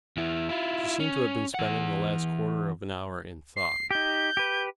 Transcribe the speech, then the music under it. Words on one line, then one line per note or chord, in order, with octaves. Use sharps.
She seemed to have been spending the last quarter of an hour in thought.
E2 E4
E4 F4
C#4
E3 F#5
C7
D#4 G4 G6
G4 B4